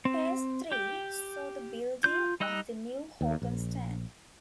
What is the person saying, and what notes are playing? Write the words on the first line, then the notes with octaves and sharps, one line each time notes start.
Phase Three saw the building of the new Hogan Stand.
C4
G4 G5
F4 G6
G3 D#4 D#5 E6 F#6
D#2
A#1